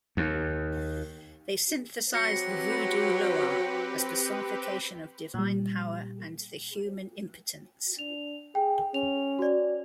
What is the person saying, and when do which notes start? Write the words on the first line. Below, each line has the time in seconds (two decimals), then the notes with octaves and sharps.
They synthesize the vodou Loa as personification of divine power and the human impotence.
0.17 D#2
2.14 F#3 C4 G4 B4 A#6 C#7
5.34 A#2 G3
7.99 D4 F7
8.55 G#4 G5
8.94 C#4 F7
9.39 F#4 D5